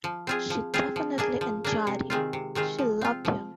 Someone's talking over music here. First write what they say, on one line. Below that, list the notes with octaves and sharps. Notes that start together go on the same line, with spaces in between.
She definitely enjoyed him — she loved him.
F3
C4 F4 G#4
F3
C4 F4 G#4
F3
A#3 D4 G#4
F3
A#3 D4 G#4
C3
D#3 G#3 C4 F4
C3
D#3 G#3 C4 F4
F3
C4 F4
F3